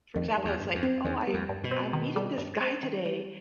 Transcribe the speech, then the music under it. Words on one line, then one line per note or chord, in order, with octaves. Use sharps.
For example, it's like, "Oh, I I'm meeting this guy today,
F2 D#3
G3
E2
G2
F2
C4
E2 D#3
G3
F2
G2
B2
C4
D#3
G3
G2
C4
D#3
G3